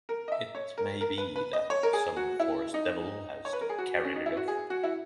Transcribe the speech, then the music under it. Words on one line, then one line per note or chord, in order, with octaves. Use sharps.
It may be that some forest-devil has carried it off.
A#4
D#5
E5
C#5
A#4
A#4
B4
B4
D#5
C#5
A#4
G#4
F#4
E4
D#4
C#5
B4
A#4
G#4
F#4
C#4
D#4
E4
F#4
G#4
F#4
E4